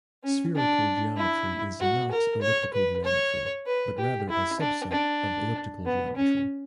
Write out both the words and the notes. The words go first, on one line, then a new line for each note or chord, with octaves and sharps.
Spherical geometry is "not" elliptic geometry, but is rather a "subset" of elliptic geometry.
C#4
D4
E4
F#4
A#4
C#5
B4
C#5
B4
G4
E4
D4
D4
B3
C#4